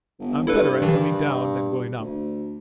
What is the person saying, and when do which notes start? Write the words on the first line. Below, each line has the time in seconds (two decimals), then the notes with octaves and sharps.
"I'm better at coming down than going up."
0.20 G1
0.47 G2 E4 A4 B4
0.82 G2 D#3 E3
1.99 D2